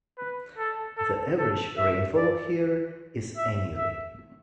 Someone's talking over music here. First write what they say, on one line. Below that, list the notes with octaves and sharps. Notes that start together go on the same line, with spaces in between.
The average rainfall here is annually.
B4
A4
A4
A4
E5
D5
E5
E5